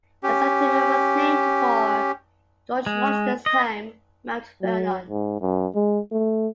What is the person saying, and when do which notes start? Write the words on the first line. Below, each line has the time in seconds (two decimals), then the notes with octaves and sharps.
The settlement was named for George Washington's home, Mount Vernon.
0.23 C#4 G4
2.86 G#3
3.46 D#5
4.62 F#3
5.10 G#2
5.41 F#2
5.75 G#3
6.12 A3